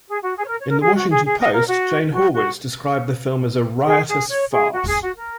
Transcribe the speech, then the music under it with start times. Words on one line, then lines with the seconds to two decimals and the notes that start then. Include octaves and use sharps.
In "The Washington Post", Jane Horwitz described the film as a "riotous farce".
0.08 G#4
0.22 F#4
0.37 G#4
0.44 C#5
0.48 A#4
0.60 C#5
0.70 A#4
0.81 G#4
0.96 F#4
1.10 G#4
1.24 G#4
1.39 D#5
1.53 A#4
1.68 F#4
2.12 F#4
2.34 F#4
3.86 G#4
4.08 G#4
4.29 C#5
4.52 G#4
4.73 F#4
4.87 G#4
5.02 F#4
5.17 A#4